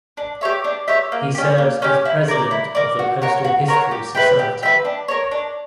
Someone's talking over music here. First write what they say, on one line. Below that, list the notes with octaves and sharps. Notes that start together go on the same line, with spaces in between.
He serves as President of the Postal History Society.
D4
G4 C#5 E5
D4
G4 C#5 E5
A#3
C#4 G4
A#3
C#4 G4
E4
A#4 D5
E4
A#4 D5
F#4
A#4 C#5 F#5
F#4
A#4 C#5 F#5
G4
B4 E5 G5
G4
B4 E5 G5
D4
A#4 C#5
D4